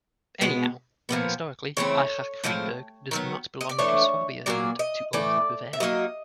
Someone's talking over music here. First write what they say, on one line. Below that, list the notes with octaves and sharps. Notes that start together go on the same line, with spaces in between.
Anyhow, historically Aichach-Friedberg does not belong to Swabia, but to Old Bavaria.
B2 G#3 B3
A#2 F3 G#3 B3
C#3 E3 A3 C4 C#5
A2 F3 G#3 C4
D#3 F#3 B3
D#5
D5
E3 A3 D4 C#5
A#2 F#3 A#3 D5
D#5
A2 E3 A3 D5
E5
F#3 A#3 D#4 D#5